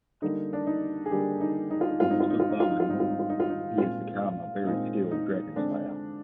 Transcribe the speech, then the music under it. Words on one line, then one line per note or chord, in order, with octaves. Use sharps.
As for Bowen, he has become a very skilled dragonslayer.
D3 G3 A#3 D#4
D4
D#4
G#4
D3 G3 A#3 G4
D#4
D#4
F4
D#4
G#2 G3 C4 F4
D#4
F4
D#4
F4
D#4
F4
D#4
F4
G#2 G3 C4 D#4
F4
D#4
F4
D#4
F4
D#4
A#2 G#3 C4 F4
A#2 G#3 C4 D#4
D#4
D3 G#3 C4 D4